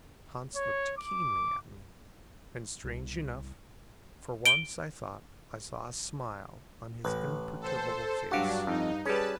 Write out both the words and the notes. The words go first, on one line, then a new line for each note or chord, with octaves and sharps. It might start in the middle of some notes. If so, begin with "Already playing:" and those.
Hans looked keenly at me, and, strange enough, for once I thought I saw a smile on his imperturbable face.
C#5
D6
C2
D7 G7
A1 B4
A4 C5
G2 F#3 D4 F#4 G4 F5 F#5
F2 D#4
G3 C#4 G#4 B4 A5